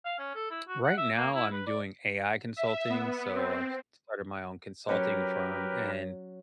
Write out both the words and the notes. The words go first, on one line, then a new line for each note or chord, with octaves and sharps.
right now I'm doing AI consulting, so I've started my own consulting firm, and
F5
C#4
A4
E4
F#4
F#5
E5
A#3
E4
B4
D5
E5
B3
C4
F#3 C#4 G4 A#4 B4 C#5